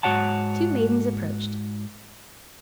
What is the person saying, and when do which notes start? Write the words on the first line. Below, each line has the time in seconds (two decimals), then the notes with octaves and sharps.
Two maidens approached.
0.03 G#2 F#4 C#5 F#5 A5